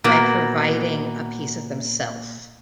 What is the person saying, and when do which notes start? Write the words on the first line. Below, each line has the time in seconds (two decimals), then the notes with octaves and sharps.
by providing a piece of themself.
0.04 A#2 A#3 B3 F#4